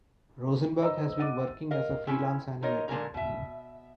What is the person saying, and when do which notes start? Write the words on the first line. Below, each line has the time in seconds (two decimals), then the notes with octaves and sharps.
Rosenberg has been working as a freelance animator.
0.82 B4 C5 D#5 A#5 E6
1.19 D#5 F#5 D6 A6 D#7
1.71 A#4 D#5 F5
2.07 C4 C#4 E4
2.62 D#4 F4 A#4 C#5 D#5
2.88 A#2 D3 G#3 A#4 A#5
3.14 B2 E5